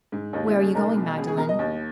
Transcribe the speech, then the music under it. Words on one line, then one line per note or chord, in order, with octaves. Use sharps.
"Where are you going, Magdalen?"
G#2
D#2 D#4
E4
C#3
G#4
B1 A#4
B2
C#2 G#4
G#4
B2 A#4
D#5
D#2